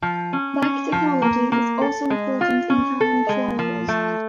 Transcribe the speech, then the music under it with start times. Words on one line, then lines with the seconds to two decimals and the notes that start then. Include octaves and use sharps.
Bike technology is also important in time trials.
0.02 F3
0.33 C#4
0.62 C#4
0.92 F3
1.22 A#3
1.52 A#3
1.81 A4
2.10 G#3
2.41 F4
2.70 C#4
3.00 A4
3.29 G#3
3.59 F3
3.88 A3